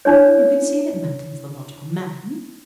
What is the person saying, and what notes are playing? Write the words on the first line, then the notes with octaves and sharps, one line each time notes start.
"You can see that Manton's the logical man?"
D4 E4 C#5